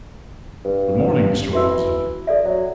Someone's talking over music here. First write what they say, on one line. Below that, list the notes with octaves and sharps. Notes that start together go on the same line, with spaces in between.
"Good morning, Mr. Walmsley!"
G2
E3 F#4 E5 E6
A4 D5 E5
F#3